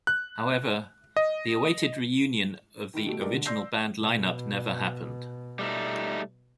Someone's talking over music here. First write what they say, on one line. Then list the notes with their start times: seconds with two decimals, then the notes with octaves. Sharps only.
However, the awaited reunion of the original band line up never happened.
0.07 F#6
1.17 D#5
2.94 D#3 E4 D7
3.06 B2 G3 A3
3.21 G#3 A3 D4 G4 A#4
3.33 D3
3.46 D5 C6 E6 G6 A#6 C7
4.00 B2
5.59 G3 A3 D#4